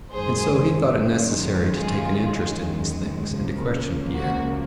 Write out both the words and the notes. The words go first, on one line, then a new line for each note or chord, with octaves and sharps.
And so he thought it necessary to take an interest in these things and to question Pierre.
F#2 D#3 G#3 G#4 C5
F4 G#4
C#2 C#3 F3 A#3
F#4